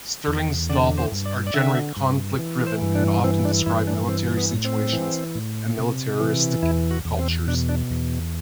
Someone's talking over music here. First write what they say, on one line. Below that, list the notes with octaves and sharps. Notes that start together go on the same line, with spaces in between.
Stirling's novels are generally conflict-driven and often describe military situations and militaristic cultures.
E2
D3 D5
C5
G2
D5
D5
D3 E5
G2
E3
C5
G2
D4
E3 C4
D4
G2 E4
D4
E3 C4
B3
A2
C4
E3
A2
C3
E3
E2 E4
F#4
E2
C4
B2 D4
D4
E2